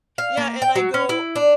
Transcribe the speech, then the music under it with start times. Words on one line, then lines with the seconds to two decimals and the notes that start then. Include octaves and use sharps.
Yeah, and I go
0.18 F5
0.37 A#3
0.62 G5
0.75 F#3
0.94 C#4
1.09 E4
1.36 D4